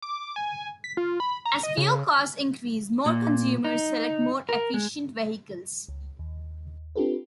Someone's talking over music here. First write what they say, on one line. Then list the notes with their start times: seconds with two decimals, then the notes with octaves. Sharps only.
As fuel costs increase, more consumers select more efficient vehicles.
0.02 D6
0.36 G#5
0.84 B6
0.97 F4
1.20 B5
1.45 A#5
1.63 D#5
1.77 C#3
3.06 A#2
3.64 D#4
4.49 A#4
4.74 G#3
5.88 C#2
6.19 D#2
6.96 C4 D4 F4 G4 A4 B4